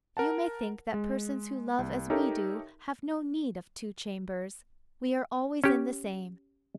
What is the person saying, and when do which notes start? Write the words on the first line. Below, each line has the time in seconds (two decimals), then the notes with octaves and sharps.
You may think that persons who love as we do have no need of two chambers; we are always in the same.
0.17 A#4 F#5 A5
0.94 G#3
1.79 C2
2.10 D#4 G4 A4 A#4 C#5 E5
5.64 C#4 G4